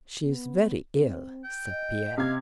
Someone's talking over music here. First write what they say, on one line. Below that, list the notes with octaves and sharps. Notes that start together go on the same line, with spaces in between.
"She is very ill," said Pierre.
B3
C4
G5
D#5
C3 F5 G#6